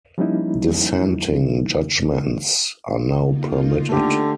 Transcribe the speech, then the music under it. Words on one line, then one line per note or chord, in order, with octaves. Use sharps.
Dissenting judgments are now permitted.
F3 G3 A#3 C#4 D#4 E4
A#3 D#4 F4
D3 A3 G4